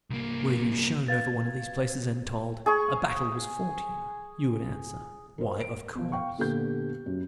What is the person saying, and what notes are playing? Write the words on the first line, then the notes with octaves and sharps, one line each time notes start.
Were you shown over one of these places, and told, "A battle was fought here," you would answer, "Why, of course!"
C2 A#3
B4 F5 G#6 A6
G#4 C#6
A#4 C5
A#4 D7
B2 F3
F5 G5 C#6
A#2 D3 B3 G4 A4 G6
F#2